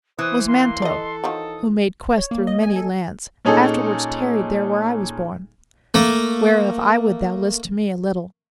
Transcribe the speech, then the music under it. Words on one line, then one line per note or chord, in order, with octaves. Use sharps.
Was Manto, who made quest through many lands, Afterwards tarried there where I was born; Whereof I would thou list to me a little.
E3 C5 D#6
A#3 C6
A4 D5 D#5
D#3 F3 F#3 D#6
C#5
A#3
D#5
G#5
A4
A#2 C#4 D#4 G#4 A4
A3 A#3